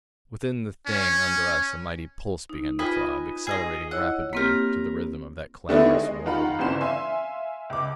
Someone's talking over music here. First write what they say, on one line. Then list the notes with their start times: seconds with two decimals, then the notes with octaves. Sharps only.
Within the Thing under us a mighty pulse began to throb, accelerating rapidly to the rhythm of that clamorous roll.
0.87 C#4
2.49 D#4
2.79 F4 B4 D#5 G5 G#5
3.47 G#4 A4 D#5
3.91 E4 C#5 D#5 F#5
4.33 A#3 C4 G4 A#4 B5
5.69 D3 D#3 A3 B3 D4 E4
5.94 G#3 D#5
6.26 D#3 F4 F5 F#5 A#5 B5
6.59 G1 C#3 E3 C4 C6 E7
6.81 E5 F5 G#5 C6
7.70 C#2 D6